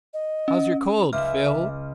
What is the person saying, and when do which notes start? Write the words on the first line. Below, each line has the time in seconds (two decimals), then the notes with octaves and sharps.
"How's your cold, Phil?"
0.14 D#5
0.48 C#4
1.13 C#2 E5 F6